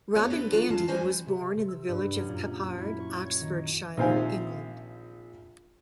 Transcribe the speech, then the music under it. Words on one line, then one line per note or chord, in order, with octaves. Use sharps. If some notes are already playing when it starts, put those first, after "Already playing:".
Robin Gandy was born in the village of Peppard, Oxfordshire, England.
B3 D#4 E4 F#4 B4 C#5
D3 D4 G4 B4
F#3 D4 F4
D2 G#3 C#4 F4 A5
G3 B3 C#4 F#4 C5 G#5
C3
C3
E6
G2
F#2
A#2
E4
C#6
C#5
D#3
A#1 C3 D#3 C5 F5 G#5